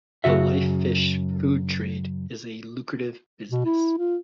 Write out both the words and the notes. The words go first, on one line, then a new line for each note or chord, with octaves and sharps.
The life fish food trade is a lucrative business.
F#2 C#3 F#4 E5
B2
E4
F4